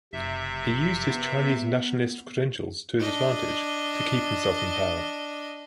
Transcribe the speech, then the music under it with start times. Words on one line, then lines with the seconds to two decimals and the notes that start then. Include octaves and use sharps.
He used his Chinese nationalist credentials to his advantage to keep himself in power.
0.13 F#1 C3 E5
1.09 B3
3.00 D4 D#5